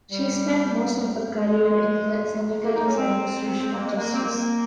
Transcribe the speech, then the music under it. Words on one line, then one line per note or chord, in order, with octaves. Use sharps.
She spent most of her career in the Senegalese administration of justice.
G3
G#3
A#3
D#4
C#4
C4
C4
A#3
G#3
A#3
C4
A#3